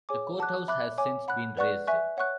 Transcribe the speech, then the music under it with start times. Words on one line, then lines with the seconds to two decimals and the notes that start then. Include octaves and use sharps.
The courthouse has since been razed.
0.09 G#4 C#5 G#5 D6
0.39 F#5 A5 D6 F#6
0.68 E5 B5 D6 F#6
0.98 C#5 G#5 D6
1.28 F#5 B5 F#6
1.57 B4 D5 F#5 C#6 F#6
1.87 E5 G#5 C#6 F#6
2.17 C#5 F#5 C#6 F#6